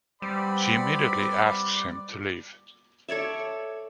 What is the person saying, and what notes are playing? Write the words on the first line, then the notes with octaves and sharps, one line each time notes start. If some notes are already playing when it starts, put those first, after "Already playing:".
She immediately asks him to leave.
G3 C4 B4 D5 F#5 B5
A4 C#5 D5 E5